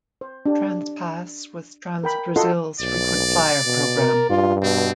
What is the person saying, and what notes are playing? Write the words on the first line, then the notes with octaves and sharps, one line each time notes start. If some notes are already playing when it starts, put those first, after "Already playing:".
TransPass was Transbrasil's Frequent-flyer program.
C5
D4 G4
A#4 G5 B5
F4 F#4 A4 D#5 F#5 C6
B1 D5
B2
A#4
G2 F4
B2 C4